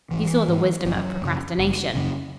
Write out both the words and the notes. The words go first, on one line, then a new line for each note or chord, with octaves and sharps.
He saw the wisdom of procrastination.
G#1 E3
G#2
F#1 F#3
F#2 C#3
F#1
F#2 C#3